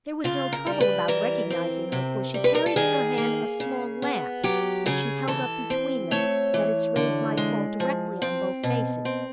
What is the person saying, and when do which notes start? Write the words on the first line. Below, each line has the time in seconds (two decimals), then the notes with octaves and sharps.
There was no trouble about recognising her, for she carried in her hand a small lamp, which she held up between them, that its rays might fall directly on both faces.
0.24 C#3 F4
0.53 A#4
0.66 G3
0.80 B4
1.08 E3 A#4
1.50 C4
1.92 C3
2.34 G3
2.44 B4
2.55 A#4
2.66 A4
2.76 D#3 G#4
3.18 A#3
3.60 C#3
4.02 B3
4.43 F#3 G4
4.86 C#3 G#4
5.27 E3 A4
5.70 C4
6.11 A3 C#5
6.54 E3
6.96 D3
7.37 G#3
7.80 F3
8.22 C4
8.63 B2
9.05 C4